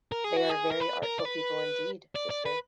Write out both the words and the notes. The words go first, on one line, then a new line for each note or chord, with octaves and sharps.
They are very artful people indeed, sister.
A#4
G#4
F#4
G#4
A#4
B4
A#4
D5
B4
D5
D5
B4